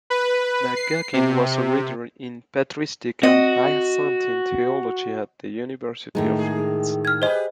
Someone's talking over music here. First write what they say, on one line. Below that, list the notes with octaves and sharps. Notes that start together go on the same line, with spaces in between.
McGuckin was a Reader in Patristic and Byzantine theology at the University of Leeds.
B4
C7
C3
C4 F#4 D#5
A2 D#3 G#3
G#4
F6 G#6
G4 G#4 B4 C5 D#5